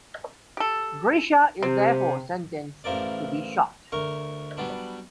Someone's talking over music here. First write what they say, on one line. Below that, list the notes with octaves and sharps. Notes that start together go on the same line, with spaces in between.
Grischa is therefore sentenced to be shot.
G4 A4
C3 C4
A1 A2 F3 A#4 D5
D2 A#4 C#6
F#3 G3 B3 D4